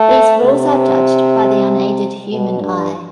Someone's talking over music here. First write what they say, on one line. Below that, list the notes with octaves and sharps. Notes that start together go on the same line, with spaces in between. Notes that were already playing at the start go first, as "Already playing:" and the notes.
These rules are judged by the unaided human eye.
Already playing: A3
C3
B2
G2